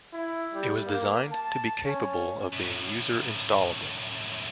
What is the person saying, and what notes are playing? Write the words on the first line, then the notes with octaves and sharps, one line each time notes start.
It was designed to be capable of being user-installable.
E4
G3
A#3
A5
C#4
F#2 A2